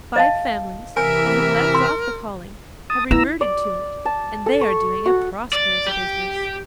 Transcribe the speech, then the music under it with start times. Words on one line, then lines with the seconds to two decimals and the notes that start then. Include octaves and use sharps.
Five families that had left off the calling have reverted to it and they are doing a prosperous business.
0.16 D#5 F5 A5
0.97 C3 E3 A#4 E5 G#5
1.75 C6
2.90 A5 D#6
3.11 B3 E4 A#5 E6
3.41 D5
4.05 A5
4.46 A4
4.61 C#6
5.06 F#4
5.53 D5
5.87 G4